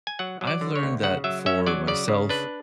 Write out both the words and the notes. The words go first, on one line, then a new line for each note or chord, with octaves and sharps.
I've learned that for myself
G#5
F#3 F#5
F#3
D5
D3
C#5
D2
C#3 F#5
F#3 E5
C#4 E5
F#3 D5
C#3 D5
C#3
D4 B4